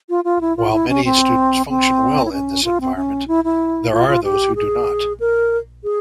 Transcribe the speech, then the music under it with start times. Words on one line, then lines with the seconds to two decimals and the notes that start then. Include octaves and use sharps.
While many students function well in this environment, there are those who do not.
0.09 F4
0.24 F4
0.41 E4
0.57 F4
0.72 E4
0.89 C#4
1.05 C4
1.69 C4
2.25 E4
2.32 C#4
2.64 F4
2.81 C4
2.96 C#4
3.28 E4
3.44 E4
3.92 F4
4.08 F4
4.24 G4
4.55 G#4
5.20 A#4
5.84 G#4